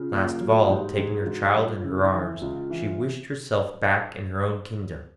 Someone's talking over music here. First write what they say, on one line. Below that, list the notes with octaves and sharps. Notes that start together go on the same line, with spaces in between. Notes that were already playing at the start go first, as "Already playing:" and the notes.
Last of all, taking her child in her arms, she wished herself back in her own kingdom.
Already playing: C#3 F4
A#3
F#3
G#2 G4
G#2 G#4
F4
G#2 F#4
G4
G3
F4
F4
C#3 E4
D#4
E3
E4
C#2 F4
E3